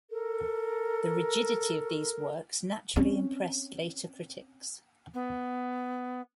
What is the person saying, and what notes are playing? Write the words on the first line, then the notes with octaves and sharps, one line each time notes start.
The rigidity of these works naturally impressed later critics.
A4 A#4
C4 C#4
B3